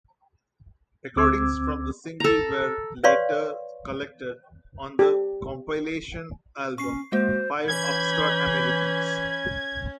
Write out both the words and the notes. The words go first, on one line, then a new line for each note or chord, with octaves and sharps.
Recordings from the single were later collected on the compilation album "Five Upstart Americans".
D2 C4 D6 E6 G#6
A4 A#5
B4 C#5 D5 F5 C6 C#6
G4
C#4 C#6 C7
G#3 A#3 F#4 C5
E3 C#4 B5 G6 G#6